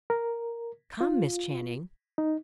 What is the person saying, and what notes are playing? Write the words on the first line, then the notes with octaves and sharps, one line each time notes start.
"Come, Miss Channing."
A#4
F4
D#4